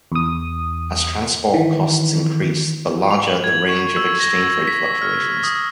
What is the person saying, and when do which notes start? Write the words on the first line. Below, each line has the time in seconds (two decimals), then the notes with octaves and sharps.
As transport costs increase, the larger the range of exchange rate fluctuations.
0.12 E2 D#6
1.54 D#3 E3
3.11 F7
3.27 F#7
3.44 G#6
3.69 C#6
3.96 E6
4.20 A#6
4.43 G#6
4.67 B6
5.02 F6
5.43 D#6